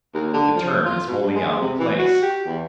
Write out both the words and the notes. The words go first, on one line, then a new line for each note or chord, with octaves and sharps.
But the term is wholly out of place.
D#2
D3
F3
F4
B2
G2
G#3
C3
E3
F#4
G4
E2